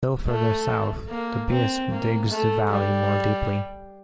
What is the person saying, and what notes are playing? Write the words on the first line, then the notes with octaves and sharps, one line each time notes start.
Still further south, the Biesme digs the valley more deeply.
A3
A#3
C4
A#3
A3
G3